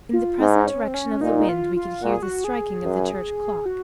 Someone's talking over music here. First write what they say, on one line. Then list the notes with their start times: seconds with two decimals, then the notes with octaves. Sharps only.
In the present direction of the wind, we could hear the striking of the church clock.
0.13 F4
0.40 G#2 D#4
0.59 D#4
0.67 C#4
0.88 C4
0.94 C#4
1.21 A#2 D#4
1.39 D#4
1.49 F4
1.76 F4
2.02 A#2 F#4
2.12 G#4
2.23 F#4
2.44 G#4
2.85 F#2
3.66 F#4